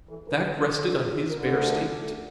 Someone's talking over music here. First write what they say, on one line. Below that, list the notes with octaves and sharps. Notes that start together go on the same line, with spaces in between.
The fact rested on his bare statement.
E2 E3 A4
F2 F3 A#4
D#2 D#3 B4
B2 A#4
A#2 G#4
B2
G#4
C3
A#4
D2 D3
A#4
A#4
A4